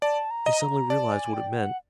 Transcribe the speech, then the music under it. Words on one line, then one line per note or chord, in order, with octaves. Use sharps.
They suddenly realized what it meant.
D5 A5
A#5
D#5
A#5
D5 A5
G#5
G5
F#5